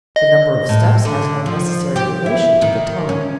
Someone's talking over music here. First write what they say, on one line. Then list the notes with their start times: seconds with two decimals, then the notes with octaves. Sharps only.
The number of steps has no necessary relation to the time.
0.16 D#5
0.69 A2
1.05 D3
1.46 F3
1.96 G4
2.26 E4
2.62 D#3
3.09 C#4